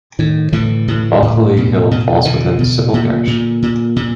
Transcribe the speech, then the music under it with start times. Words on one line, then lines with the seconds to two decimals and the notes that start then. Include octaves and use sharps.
Bulkeley Hill falls within the civil parish.
0.19 A2 D#3
0.53 A2 D3 E3
0.88 A2
1.22 A2
1.57 B2
1.91 B2
2.25 B2 D3 E3
2.59 B2
2.94 A#2
3.27 A#2
3.62 A#2
3.96 A#2